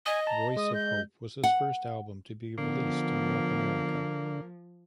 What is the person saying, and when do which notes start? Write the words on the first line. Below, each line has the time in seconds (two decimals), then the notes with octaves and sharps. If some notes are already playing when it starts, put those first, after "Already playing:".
"Voice Of Hope" was his first album to be released in North America.
0.06 D#5 G#5 D#6
0.27 A5 A#5
0.57 G#3 D#6
0.74 G6
1.44 F#5
2.58 D3 F3 A#3 B3